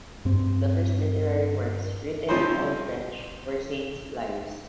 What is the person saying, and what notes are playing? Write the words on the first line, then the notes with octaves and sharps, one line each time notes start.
The first literary works written in Old French were saints' lives.
G2 C4
F3 G3 C4 C#4 D#4 C5